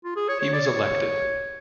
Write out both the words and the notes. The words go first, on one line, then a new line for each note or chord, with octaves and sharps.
He was elected.
F4
G#4
C#5
C#5
D5
C#5